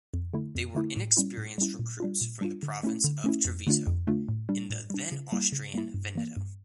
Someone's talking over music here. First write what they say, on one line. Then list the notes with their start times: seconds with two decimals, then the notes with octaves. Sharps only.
They were inexperienced recruits from the province of Treviso in the then Austrian Veneto.
0.14 F2
0.34 D3 A3 E4
0.55 F2
0.75 D3 A3 E4
0.97 A2
1.17 G3 C#4 E4
1.37 A2
1.58 G3 C#4 E4
1.79 A#2
2.00 G3 D4 F4
2.21 A#2
2.41 G3 D4 F4
2.63 D3
2.83 A3 C#4 E4
3.04 D3
3.24 A3 C#4 E4
3.45 F2
3.67 D3 A3 D4 F4
3.87 F2
4.07 D3 A3 D4 F4
4.29 A2
4.49 G3 D4
4.70 A2
4.90 G3 D4
5.12 C#3
5.32 G3 A#3 E4
5.52 C#3
5.74 G3 A#3 E4
5.94 G2
6.15 E3 A#3
6.37 G2